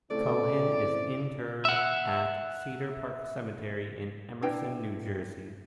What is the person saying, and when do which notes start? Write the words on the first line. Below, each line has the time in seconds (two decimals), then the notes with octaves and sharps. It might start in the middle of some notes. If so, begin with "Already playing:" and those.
Cohen is interred at Cedar Park Cemetery, in Emerson, New Jersey.
0.11 C#3 A3 C4 E4 D5
1.65 E5 F#5
4.42 D4 E4 B4 G5